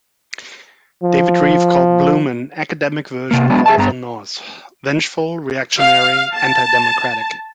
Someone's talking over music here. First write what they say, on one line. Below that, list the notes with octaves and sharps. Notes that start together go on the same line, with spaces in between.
David Rieff called Bloom "an academic version of Oliver North: vengeful, reactionary, antidemocratic".
F3
C3 A#3
F#3 G#3 B3 D4
G#4 E5 A5
G2 B3 A#5
F5
A5